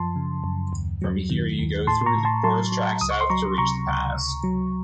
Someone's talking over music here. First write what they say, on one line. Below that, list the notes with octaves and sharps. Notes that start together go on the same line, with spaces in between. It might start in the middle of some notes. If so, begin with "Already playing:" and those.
From here, you go through the forest track south to reach the pass.
Already playing: F#2 F3 A5 C6
C#3
F#2
D#2
F#3
D#3
D#2
A2 A5 C6
C6
A#5 C#6
A2
A5 C6
F#3 A5 C6
F#3
C#2 D#6
C#6
C6
F#3 A#5 C#6
C3 A#5 C#6
C#2
C#2
F#3